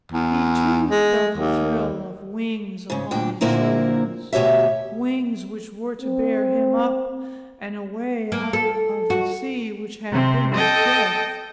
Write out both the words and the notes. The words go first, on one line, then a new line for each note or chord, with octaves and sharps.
He too felt the thrill of wings upon his shoulders, wings which were to bear him up and away out of the sea which had been his death.
E2
G#3
D#2
G#2 C#3
D2 A#2 D4 G5
A#2 D3 A#3 C4 E4 A#4
D2 B2 G4 C#5 E5
C4
A#3
A4
F#4
C3 C4
A4 D#5 G5 A5